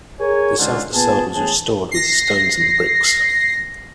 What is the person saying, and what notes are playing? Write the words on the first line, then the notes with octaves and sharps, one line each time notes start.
The south facade was restored with stone and bricks.
G#4 A#4 C#5 G#5
C#2 G#2 D3 F4
A#2 B3 G#4 A5
E2 A2 G#4 A5
A#6 C7